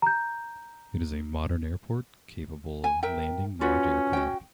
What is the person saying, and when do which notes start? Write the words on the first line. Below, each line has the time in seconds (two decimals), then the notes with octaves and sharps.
It is a modern airport capable of landing large aircraft.
0.02 A#5 G6
2.84 G#5
3.03 A#4 E5 G5
3.61 C#4 F4 F#4 B4
4.13 F#4 G5